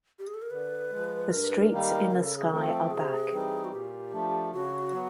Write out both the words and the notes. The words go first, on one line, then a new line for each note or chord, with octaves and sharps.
The streets in the sky are back.
G4
G#4
A4
A#4
D3 B4
F3 G#3
G2 A#4
B4
A#4
D#3 G3 A#3 D#4
A4
A#4
C#3 A#4
A4
G#4
F3 A3 C4 A4
C3 G#4
E3 G3 C4 D#4
F#4
A#2 G4
F3 A3 D4
C#3 F#4
F#3 B3